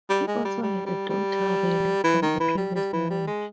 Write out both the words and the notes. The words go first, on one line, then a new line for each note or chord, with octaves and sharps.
He also had a daughter Renee from a previous marriage.
G3
G#3
G3
G3
G3
G3
E3
D#3
E3
G3
G3
E3
G3
G#3